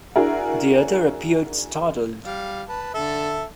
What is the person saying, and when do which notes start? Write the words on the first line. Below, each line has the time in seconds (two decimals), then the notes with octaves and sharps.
The other appeared startled.
0.16 D4 E4 F#4 G#4 A#4
2.26 G3 F5
2.69 B4 A5
2.94 D3 A4 E5